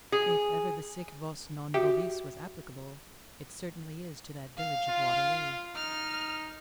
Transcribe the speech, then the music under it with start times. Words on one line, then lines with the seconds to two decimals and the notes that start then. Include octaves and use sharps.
If ever the sic vos non vobis was applicable, it certainly is to that village of Waterloo.
0.12 G#4
1.74 F#4 G4 E5
4.57 F5
4.89 F4
5.76 D#4 F6